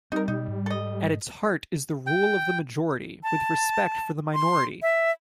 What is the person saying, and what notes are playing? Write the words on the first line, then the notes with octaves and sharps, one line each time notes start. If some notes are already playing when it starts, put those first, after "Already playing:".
At its heart is the rule of the majority with respect for the minority.
G3 C4 D#4 A#4
B2 D#4
G#2
A4 D#5
G5
A5
C6
E5